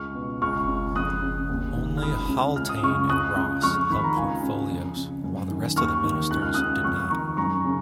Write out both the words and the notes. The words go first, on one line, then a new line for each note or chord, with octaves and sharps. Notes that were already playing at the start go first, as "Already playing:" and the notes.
Only Haultain and Ross held portfolios while the rest of the ministers did not.
Already playing: C#2 C#6 F6
B2
C#2 C#6 F6
C#3
F2 D#6 F#6
C#3
D#2
D#3
F6
C#2 B5 D#6
C#3
C#2 F6
D#6
C#3 C#6 F6
C#2 D#6 F#6
C#3
F2 C#6 F6
D#3 B5
A#5
C#2 F5 G#5
C#3
F2
C#3
F#2
D#3
D#2 C#6 F6
D#3
C#2 F#6
F6
C#3 D#6 F#6
F2 C#6 F6
D#3 A#5 C#6
F#2 A#5 C#6
C#3